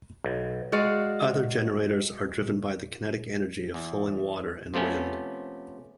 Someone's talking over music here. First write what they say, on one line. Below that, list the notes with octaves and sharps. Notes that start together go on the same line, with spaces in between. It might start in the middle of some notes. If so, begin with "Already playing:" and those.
Other generators are driven by the kinetic energy of flowing water and wind.
B1
G#3 F#4 D5 F5
E2
C3 F3 A3 B3 C#4